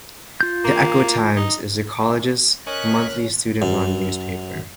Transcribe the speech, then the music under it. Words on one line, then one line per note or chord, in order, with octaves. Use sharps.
"The Echo Times" is the college's monthly student-run newspaper.
F4 G6
A#3
D#4
C#4 A#4 D#5 G#5 C#6 F#6 B6
F#2